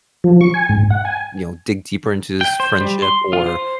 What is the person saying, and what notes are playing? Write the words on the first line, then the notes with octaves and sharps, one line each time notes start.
you know, dig deeper into this friendship or,
F3
C#6
G#5
G#2
F#5
G#5
G5
C5
G3
C6
F4
C5